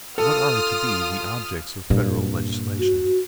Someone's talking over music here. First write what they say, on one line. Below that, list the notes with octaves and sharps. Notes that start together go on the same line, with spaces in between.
What are to be the objects of federal legislation?
F4 A4 D#6 F6
G2 A#2
F#4